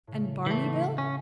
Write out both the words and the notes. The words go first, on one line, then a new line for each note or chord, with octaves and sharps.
"And Barney Bill?"
A2 C#3
E3 A3
C#4